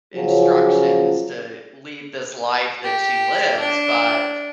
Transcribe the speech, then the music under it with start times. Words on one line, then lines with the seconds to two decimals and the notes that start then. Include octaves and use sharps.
instructions to lead this life that she lives, but
0.15 C#3 F3 F#3 C#4
2.84 G4
3.60 D4